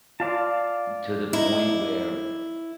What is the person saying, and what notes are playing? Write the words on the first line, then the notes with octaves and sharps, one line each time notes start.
to the point where
F4 D5 F5 A5
D#4 E4 A#5